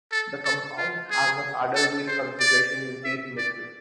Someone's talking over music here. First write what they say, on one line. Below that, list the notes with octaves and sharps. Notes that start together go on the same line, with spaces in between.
The compound has a paddlewheel configuration with D symmetry.
A4
A4
F4
G#4
A4
C5
D5
E5
D5